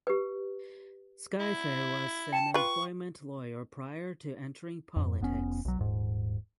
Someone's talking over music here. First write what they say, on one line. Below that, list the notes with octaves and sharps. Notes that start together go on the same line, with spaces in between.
Scaife was an employment lawyer prior to entering politics.
G4 B4
E4
G5 A5
F4 B4 C#6
F2 G#2
F1 B3 C#4
B1 F#3
D#1 G#2